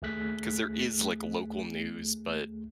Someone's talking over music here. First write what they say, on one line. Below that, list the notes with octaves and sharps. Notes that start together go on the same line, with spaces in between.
'cause there is, like, local news, but
D#2 A3 G#4 F#6 B6